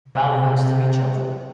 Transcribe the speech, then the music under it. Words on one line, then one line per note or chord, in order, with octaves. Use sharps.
Baloo has three children.
C3